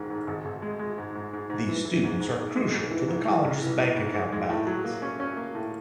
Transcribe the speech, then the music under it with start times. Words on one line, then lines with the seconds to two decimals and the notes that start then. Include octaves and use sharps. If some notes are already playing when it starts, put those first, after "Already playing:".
These students are crucial to the College's bank account balance.
Already playing: A1 G#2 D#3
0.10 G#2
0.27 G#1
0.45 G#1
0.62 G#3
0.79 G#3
0.98 G#2
1.15 G#2
1.33 G#2
1.50 G#2
1.68 E3
1.85 E3
2.04 G#2
2.20 G#2
2.38 G#2
2.56 G#3
2.73 G#2
2.91 E3
3.08 G#2
3.27 E3
3.44 A1
3.61 E3
3.79 E3
3.97 G#2
4.14 G#2
4.32 G#3
4.50 A2
4.67 F#3
4.84 A#3
5.02 C#4
5.20 C#4
5.37 A#3
5.55 A2